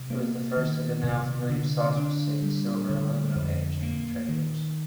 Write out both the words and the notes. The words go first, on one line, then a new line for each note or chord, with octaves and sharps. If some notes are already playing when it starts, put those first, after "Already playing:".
It was the first of the now familiar sausage-shaped, silver aluminum Airstream trailers.
Already playing: C3
A#3
D#3
C3
D3
D4
G3
D3
F2
A#3
D#3